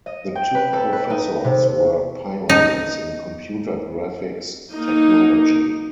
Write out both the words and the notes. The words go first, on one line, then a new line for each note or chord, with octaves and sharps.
The two professors were pioneers in computer graphics technology.
D#5
G5
B4
A4
B4
D#4
C3
D#4
A#3 D#4